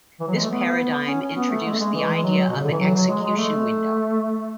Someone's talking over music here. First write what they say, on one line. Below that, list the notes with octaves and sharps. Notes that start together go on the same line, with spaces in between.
This paradigm introduced the idea of an "execution window".
E3
F#3
G#3
A3
B3
C#4
C#4
B3
A3
G#3
A3
G#3
E3
G#3
F#3
B2
C#3
D3
E3
F#3
F#3
G#3
G#3
A3